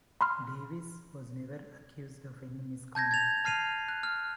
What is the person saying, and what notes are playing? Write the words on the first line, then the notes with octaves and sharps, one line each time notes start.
Davis was never accused of any misconduct.
B5 C6 F6
A5 G6 G#6 A#6
G#6 A6 F7
A5 F6 C7 D#7 F7
F#6
F6